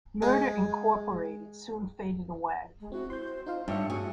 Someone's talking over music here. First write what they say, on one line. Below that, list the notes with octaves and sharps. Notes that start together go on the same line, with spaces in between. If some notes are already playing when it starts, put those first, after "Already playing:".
Murder, Incorporated soon faded away.
G#3
G#3
C4 E4 F#4
C5 C6 G6
D#4 F4 C5 F5
G2 D#4 C#5 E5 C#7
F#4 G#4